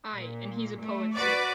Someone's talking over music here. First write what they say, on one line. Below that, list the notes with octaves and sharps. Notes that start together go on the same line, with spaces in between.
Ay, and he's a poet too.
A#2
A3
F#4 B4 D5